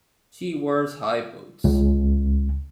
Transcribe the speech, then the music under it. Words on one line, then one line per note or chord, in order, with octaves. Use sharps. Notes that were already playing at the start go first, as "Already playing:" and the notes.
She wears high boots.
C#2